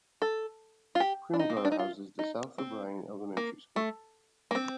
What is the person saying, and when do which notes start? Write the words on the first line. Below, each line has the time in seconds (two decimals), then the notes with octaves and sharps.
Primghar houses the South O'Brien Elementary School.
0.22 A4
0.95 F4
1.00 G4
1.34 D4
1.39 D#4
1.50 A#3
1.57 C4
1.65 D4
1.72 D#4
1.79 F4
2.19 D#4
2.58 C4
3.37 A#3
3.76 A3
4.51 A#3
4.55 C4